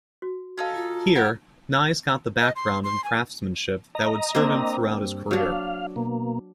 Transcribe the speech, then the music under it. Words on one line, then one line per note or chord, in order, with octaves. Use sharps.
Here Nys got the background and craftmanship that would serve him throughout his career.
F#4
C#4 D#4 F#4 A4 F5
F4
A#3 E4 G4 F#5
D#5
C6
C6
G#5
D#5 A#5
A#3 C4 D4
G2
F#3 D4 F5
B2 A#3